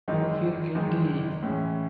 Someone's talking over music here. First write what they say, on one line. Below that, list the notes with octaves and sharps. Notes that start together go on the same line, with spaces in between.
You feel guilty.
G#1 F#2 D#3 G#3 D#4
G#1 F#2 D#3 G#3 D#4
A2 E3 G#3 C#4